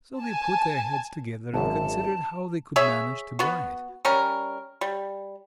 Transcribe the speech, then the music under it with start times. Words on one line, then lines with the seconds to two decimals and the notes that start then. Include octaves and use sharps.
So they put their heads together and considered how they could manage to buy it.
0.20 G#5 A5
1.54 G#1 F#2 A5
2.76 G#4 C#5 E5
3.39 B3 F#4
4.05 G3 C#4 A#4
4.81 G3